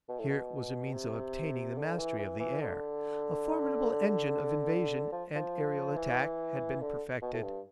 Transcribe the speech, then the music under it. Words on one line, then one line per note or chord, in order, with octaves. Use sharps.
Here was a means of obtaining the mastery of the air: a formidable engine of invasion and aerial attack had been perfected.
B2
A2
B2
C3
D3
E3
E3
E3
D3
F3
F3
E3
D3
B2
A2
G2